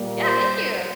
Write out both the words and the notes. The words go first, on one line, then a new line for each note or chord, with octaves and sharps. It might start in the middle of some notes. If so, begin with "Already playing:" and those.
Yeah, thank you.
Already playing: A#2 G3 A#3
C5